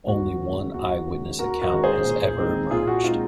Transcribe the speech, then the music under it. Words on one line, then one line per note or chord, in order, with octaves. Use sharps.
Only one eyewitness account has ever emerged.
D#2 F#4
D#3 G#3 C#4
D#2 F#4
D#3 G#3 C#4
D#2 F#4 A#4
F#4 A#4
D#3 G#3 C#4
G#4 C5
A#2
G#3 C4 D#4
A#2 F4 G#4
F#4
G#3 C4 D#4 F4